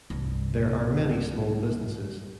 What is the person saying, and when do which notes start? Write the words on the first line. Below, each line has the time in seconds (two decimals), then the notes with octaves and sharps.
There are many small businesses.
0.10 C2 G2